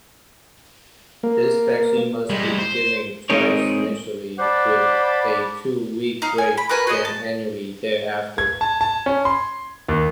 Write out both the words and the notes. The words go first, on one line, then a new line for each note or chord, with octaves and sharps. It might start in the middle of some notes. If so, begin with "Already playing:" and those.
This vaccine must be given twice initially with a two-week break, then annually thereafter.
A#3
G3 G#3
C5
G#3 C4 D#4 G#4 A#4 C#5
C5 D5 F#5 A5 B5 D6
D#4 F5
G#5
B5
F#4 A#4 B4 G#5
F#4 G#4 D5 D#5
A5
G#6
A5
A5
C#4
C6
D#2